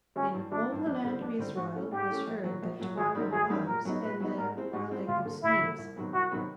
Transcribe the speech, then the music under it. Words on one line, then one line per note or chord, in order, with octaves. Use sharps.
In all the land of Israel was heard the twang of bows and the whirling of slings.
G#1 C#4
G2 E3
G#1 D4
G2 E3
F2 D4
D3 G3 C4 E4
F2 D4
D3 G3 C4 E4
G#2 F#4
E3 A3 C#4
G#2 G4
E3 A3 C#4
A#1
A#2 F#3
A#1
A#2 F#3
G#1 G#4
F#2 D#3 G3
G#1 G#4
F#2 D#3 G3
A#2 A#4
F#3 B3 D#4
A#2 B4
F#3 B3 D#4
G#2 A#4
F3 G#3 C4 E4
G#2 F#4
F3 G#3 C4 E4
D2 F4
D3 F3 A#3
D2 E4
D3 F3 A#3
C2
C3 D#3 F#3 B3
C2 F#4
C3 D#3 F#3 B3